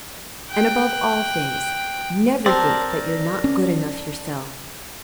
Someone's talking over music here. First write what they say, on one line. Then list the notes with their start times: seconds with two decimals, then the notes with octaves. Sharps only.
And, above all things, never think that you're not good enough yourself.
0.51 G5 F#6
2.46 C4 D4 A#4 D5
3.44 C#4